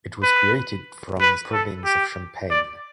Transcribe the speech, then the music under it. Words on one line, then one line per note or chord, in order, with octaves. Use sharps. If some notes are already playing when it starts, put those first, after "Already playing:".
It was created from the province of Champagne.
B4
B4
A4
G4
D5